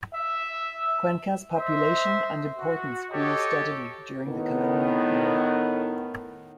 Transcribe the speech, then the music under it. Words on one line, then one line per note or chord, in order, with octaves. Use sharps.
Cuenca's population and importance grew steadily during the colonial era.
E5
C5 D#5 E5
F#4
G4 A4 C#5 D#5
A2 D#3 B3